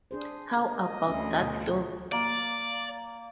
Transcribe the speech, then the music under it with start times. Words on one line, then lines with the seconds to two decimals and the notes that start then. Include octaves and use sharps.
How about that door?
0.11 D4 G#4 C5
0.72 D#5
1.08 D2 C#4 D4
1.40 B2 D3
2.12 A#3 D5